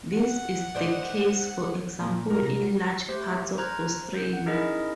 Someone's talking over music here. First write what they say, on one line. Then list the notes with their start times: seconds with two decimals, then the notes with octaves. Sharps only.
This is the case, for example, in large parts of Australia.
0.15 F#5
0.75 D#4 C5 D5
1.99 A#2
2.30 G3 A#4 A#5
2.42 C3 A#6
2.62 F#3 D7
3.08 A3 G4 C5
3.58 C5 A#5 F6 F#6 G#6
4.15 G6
4.33 F#5
4.46 C#4 D#4 E4 G#4 A#4 D#5